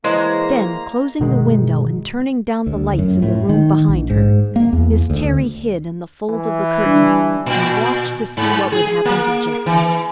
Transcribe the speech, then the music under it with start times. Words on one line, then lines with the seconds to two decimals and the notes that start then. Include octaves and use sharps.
Then closing the window and turning down the lights in the room behind her, Miss Terry hid in the folds of the curtain and watched to see what would happen to Jack.
0.04 E3 G#3 A#3 C5 C#5 D#5 A#5
1.20 G1 B2 D#3 G#3
2.67 D2
2.99 F#2
3.22 A2
3.49 D#3
3.88 A#1
4.10 G#2
4.56 A#3
4.73 E2
5.10 D2
6.30 E3
6.85 G3 D4
7.46 A#2
8.37 G#2
8.72 G#4
9.05 A#3
9.66 E3